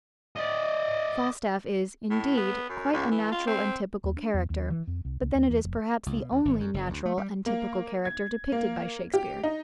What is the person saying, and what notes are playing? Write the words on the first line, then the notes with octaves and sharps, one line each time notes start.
Falstaff is, indeed, quite a natural and typical character; but then it is perhaps the only natural and typical character depicted by Shakespeare.
D5 D#5
A2
B3
F#2
C#2
E3
F4
C4
D#2
D4
E2
D#2
E3
F2
C2
C#2
D#2
E2
F1
C#2
B2
D#2
G#1
F#2
F#1
D2
A3
G3
A#3
G#6
A#3
G4
D#4